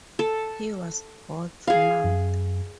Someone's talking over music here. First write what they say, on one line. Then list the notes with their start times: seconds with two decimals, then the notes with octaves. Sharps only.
He was God's "mouth".
0.19 A4
1.67 G#4 F5
2.04 F#2